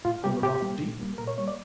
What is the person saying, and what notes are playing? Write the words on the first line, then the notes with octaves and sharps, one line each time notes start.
'On the rough deep.
A2 F4
G3 A#3 G4
A2 G4
G3 A#3
A#2
G3 A#3
A#2 A#4
C#5
G3 A#3 C#5
D5